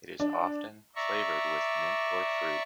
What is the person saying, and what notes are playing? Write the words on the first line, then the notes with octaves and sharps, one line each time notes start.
It is often flavored with mint or fruit.
D4
D5 E5 A#5 C#6